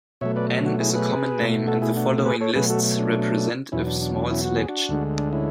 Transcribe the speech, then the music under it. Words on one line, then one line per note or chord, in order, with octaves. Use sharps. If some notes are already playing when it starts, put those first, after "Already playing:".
Anne is a common name and the following lists represent a small selection.
B2 F#3 A3 C#5 E5
B4 D5
D4 F#4
E4 G#4
G#4 B4
B2 A3
F#4 A4
E4 G#4
D4 F#4
G#4 B4
A4 C#5
B2 F#3 A3 G#4 B4
F#4 A4
D4
E2 B2 F#3 C#4 E4
D4
D4
D4
C#4 E4
F#4
G#4
D4 F#4
D2 D3 G#3
D4
C#4 E4